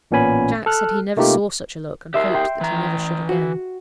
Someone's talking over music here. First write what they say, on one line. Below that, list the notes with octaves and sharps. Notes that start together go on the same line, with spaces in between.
Jacques said he never saw such a look, and hoped that he never should again.
A1 A#2 B3 C#4 G#5 B5
A4 F6 F#6
C3 A3 A#3 D#4 F4 G4
G4 A#4 E5 C6
G5 C6
E3 A#5 F#6
F#4